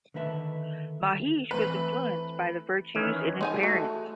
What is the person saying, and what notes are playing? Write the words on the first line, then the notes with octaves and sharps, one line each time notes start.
Mahesh was influenced by the virtues in his parents.
D3 D#3 A3 B4 E5 A5
E3 A3 C4 B4
D#3 E3 C#4
G#3 D#4 G#5
A3 F#4